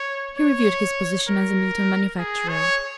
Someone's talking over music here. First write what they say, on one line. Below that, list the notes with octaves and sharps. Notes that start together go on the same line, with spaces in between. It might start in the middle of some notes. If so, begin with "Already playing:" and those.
He reviewed his position as a Milton manufacturer.
Already playing: C#5
C#5
A#4
G#4
C#5